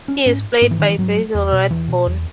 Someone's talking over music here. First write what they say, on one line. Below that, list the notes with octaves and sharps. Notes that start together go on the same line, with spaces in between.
He is played by Basil Rathbone.
C#4
G#2 C#4
G#2 B3
E3
D#3
E3
G#2 F#3
E2
B2
E2 E3
B2
E2